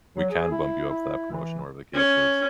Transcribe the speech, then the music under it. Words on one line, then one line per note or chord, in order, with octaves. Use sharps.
we can bump you up for that promotion," or whatever the case is.
F#3
G#4
E4
E4
E3
C#4